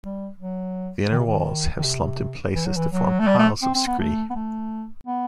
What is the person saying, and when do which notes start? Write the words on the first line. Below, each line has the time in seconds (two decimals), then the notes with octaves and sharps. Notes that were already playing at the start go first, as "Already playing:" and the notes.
The inner walls have slumped in places to form piles of scree.
0.04 G3
0.40 F#3
1.12 D#3
1.19 C3
1.26 D#3
1.78 D#3
1.84 C3
2.55 E3
2.66 F#3
2.76 E3
2.91 F#3
3.19 A3
3.27 G3
3.39 A3
3.62 C4
3.75 C4
3.87 B3
3.99 A3
4.30 B3
4.35 A3
5.07 B3